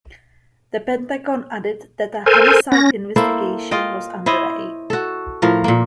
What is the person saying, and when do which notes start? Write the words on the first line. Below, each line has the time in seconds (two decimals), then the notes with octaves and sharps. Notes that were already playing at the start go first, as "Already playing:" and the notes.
The Pentagon added that a homicide investigation was underway.
2.26 A4 A#4 C5 G#5
2.72 C#4 A#6
3.16 A#3 E4 A4 C5
3.71 F4 D#5 G5
4.26 E4 C5 C#5 D#5
4.90 F#4 A4
5.42 A2 F3 A#4
5.64 A#2 A#3